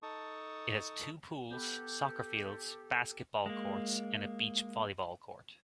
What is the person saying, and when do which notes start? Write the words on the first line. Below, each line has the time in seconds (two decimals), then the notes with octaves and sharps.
It has two pools, soccer fields, basketball courts and a beach-volleyball court.
0.03 D#4 A4 A5 C#6 D#6
1.51 B3 G4 A4 B4 G6
3.46 G#3 A#3